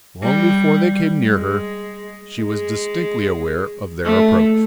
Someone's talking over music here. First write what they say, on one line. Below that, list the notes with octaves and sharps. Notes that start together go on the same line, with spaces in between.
Long before they came near her, she was distinctly aware of their approach.
G3
G#3
G#3
A3